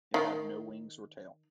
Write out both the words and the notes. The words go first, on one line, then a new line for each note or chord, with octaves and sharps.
It had no wings or tail.
D#3